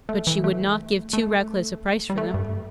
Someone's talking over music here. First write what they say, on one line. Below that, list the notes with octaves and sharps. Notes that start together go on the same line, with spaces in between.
But she would not give too reckless a price for them.
A3
E3
A3
A3
G3
A3
G2